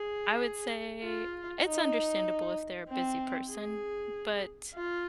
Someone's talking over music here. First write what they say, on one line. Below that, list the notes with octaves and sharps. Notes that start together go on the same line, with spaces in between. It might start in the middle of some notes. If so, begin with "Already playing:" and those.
I would say it's understandable if they're a busy person, but
Already playing: G#4
F4
D#4
C4
G#4
F4